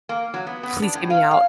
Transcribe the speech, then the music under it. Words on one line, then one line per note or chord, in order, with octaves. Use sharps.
please get me out."
A#3
F#3
B3
B3
D4
A2
F5
F5